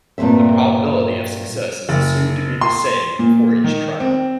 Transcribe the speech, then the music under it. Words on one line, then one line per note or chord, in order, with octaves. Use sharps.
The probability of success is assumed to be the same for each trial.
G2 A#2 F3 C4 E5
F#1
C6
A#2
D#3
C4